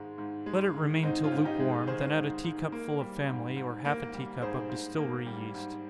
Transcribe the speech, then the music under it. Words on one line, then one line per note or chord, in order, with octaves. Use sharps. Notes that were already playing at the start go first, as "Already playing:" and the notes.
Let it remain till lukewarm, then add a tea-cup full of family, or half a tea-cup of distillery yeast.
Already playing: G#2 D#3 G#3
G#2
G#3
D#3
G#2 C4 D#4
C#4 F4
G#2
D#4 G4
G#3
D#3 G#4 C5
G#2
G#2
A#3
G3
G#2
G#2
A#3
G3
G#2 G#4 C5
G#2
A#3
G3
G#2